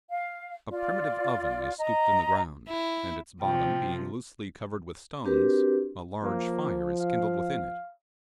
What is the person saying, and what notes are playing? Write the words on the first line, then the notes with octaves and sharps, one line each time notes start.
A primitive oven is scooped in the ground, and its bottom being loosely covered with stones, a large fire is kindled within it.
F5
F4 D5
D#5 A#5
E4
C3 F3 G5
C4 D4 F#4 G4 A#4 B4
F3 A#3
F5